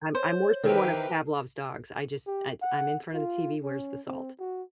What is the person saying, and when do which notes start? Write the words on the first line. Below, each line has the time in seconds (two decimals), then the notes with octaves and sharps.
I'm I'm worse than one of Pavlov's dogs, I just it's I'm in front of the TV, where's the salt?
0.15 C5 C#5
0.63 D#3 E3 C4 G4 A#4 B4
2.27 G4
2.62 F#5
3.14 F4
3.63 C#4
4.07 C4
4.39 F#4